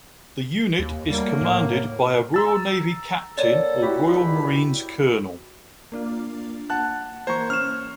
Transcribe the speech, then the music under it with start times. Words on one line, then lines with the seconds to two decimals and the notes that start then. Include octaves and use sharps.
The unit is commanded by a Royal Navy Captain or Royal Marines Colonel.
0.79 D#2
1.10 F#3 G3 A3 A#3
1.41 A2
2.34 A#5 E6 A6
3.38 D3 A#3 A4 C#5 D5
3.82 C#2 A#2 E4 F#4 G4 B5
5.92 A#3 D4 F4
6.70 F#5 A5 F#6
7.27 E3 A#3 C5 A#5 C#6 G#6
7.50 C#4 F6 E7